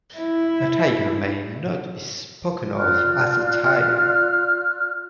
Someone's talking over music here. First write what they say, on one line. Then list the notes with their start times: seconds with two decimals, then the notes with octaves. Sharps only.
A tiger may not be spoken of as a tiger.
0.17 E4
2.78 F4 D5 F6 F#6